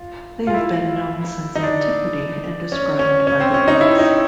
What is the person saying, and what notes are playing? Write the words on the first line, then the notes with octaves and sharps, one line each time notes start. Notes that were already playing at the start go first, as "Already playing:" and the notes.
They have been known since antiquity, and described by the Greeks.
Already playing: F4
F4
E4
D#4
D4
C#4
C#4
C#4
C4
C#4
D#4
E4
D#4